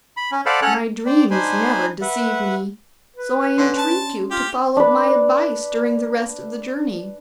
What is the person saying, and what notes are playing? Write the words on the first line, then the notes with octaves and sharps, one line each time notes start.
My dreams never deceive me, so I entreat you to follow my advice during the rest of the journey.'
B5
C#4
A4 C5 D5 F5 F#5 B5
C#4 A4 C#5 F#5 F#6
C5 D5 G5
D4 D#4 C5 G#5 B5 C6
B4 E5 F#5
B4
D3 C#4 D4 C6
A5
F4 G4
D4 B4